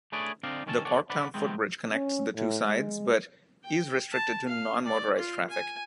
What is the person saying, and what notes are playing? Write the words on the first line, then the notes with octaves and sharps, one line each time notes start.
The Corktown Footbridge connects the two sides, but is restricted to non-motorized traffic.
A3 D4 G#4 B4 C#5 D5
D3 C4 D4 D#4 D5 F5
C2 D#3 C#4 E4 A4 A5
D#2 A4 C#5 D5 F#5
D3 D5 F#5 B5
C3 D#3 G#3 B3 C4
C#4
A2
G#3
G5
A5
F5
D5
F4
G#5